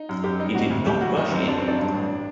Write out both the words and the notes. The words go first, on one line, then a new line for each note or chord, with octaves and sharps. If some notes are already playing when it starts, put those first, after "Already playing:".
He did not rush in.
Already playing: D#4
F#2
F#2 G4
G3 D#4
C3 F#4
D2
D2 G4
F#3 F#4
D#3 D#4
F#2 C4
F#2 D4
F#3 C4
D4
G2 D4
A1